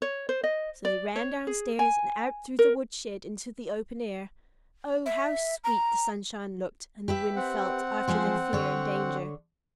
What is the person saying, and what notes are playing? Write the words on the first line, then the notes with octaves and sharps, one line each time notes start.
So they ran downstairs, and out through the wood-shed into the open air. Oh, how sweet the sunshine looked, and the wind felt, after their fear and danger!
C#5
C5
D#5
D5
C#5
G#4
G#5
A#4
E5
A#5
G4 B4 E5
C4 F#5
F3 G#3 C5
D3 C#5